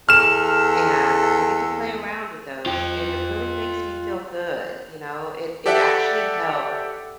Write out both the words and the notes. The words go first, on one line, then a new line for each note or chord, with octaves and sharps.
And I get to play around with those, and it really makes me feel good, you know? It it actually helped.
E2 A4 F6 E7
F4 G5
G4 A4 D5 E5 F#5 G5